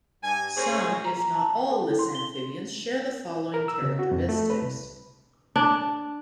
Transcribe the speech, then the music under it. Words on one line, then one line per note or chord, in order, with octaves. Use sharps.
Some, if not all, lissamphibians share the following characteristics.
G2 G#5
A#3 C#4 G#4 C5 C#5
A#5
A5
G5
A4
E4
C6
G7
A#4
E6
C#3
F#4
F2
A3
B4
C2
D4